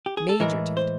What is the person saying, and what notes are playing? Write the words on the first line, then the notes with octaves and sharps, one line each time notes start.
"Major Tifto."
G4
G#4
A4
A2 E3 G#3 A#4
C5